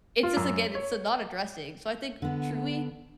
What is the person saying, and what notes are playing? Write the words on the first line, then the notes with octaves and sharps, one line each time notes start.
it's just, again, it's, eh, not addressing so, I think truly,
F4
F#2
C#5
D3 B3